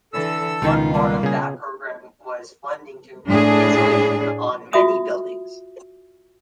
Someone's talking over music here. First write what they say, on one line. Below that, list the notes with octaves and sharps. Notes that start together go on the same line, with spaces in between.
One part of that program was funding to improve insulation on many buildings.
D3 E3 A4 E6
C#2 B2 D#3 D#4 F4
G3 A#3
C#3 G#4
A2 D4 G#4
F4 F#4 E5 D#6